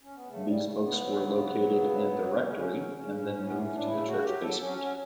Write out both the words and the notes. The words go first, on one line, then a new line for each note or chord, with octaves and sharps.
These books were located in the rectory and then moved to the church basement.
C#4
B3
C#3 A3
C#3 G3
C#3 A3
A3
C#3 B3
F#3
C#3
F#3
F#3
C#3
F#3
F#3
C#3
B3
C#3 C#4
F#3
C#3
C#3
A2
A2
E3 B3
C#4
A2 D4
C#3 E4
C#3 F#4
F#3 G4
F#3 A4
F#3 C#4
F#3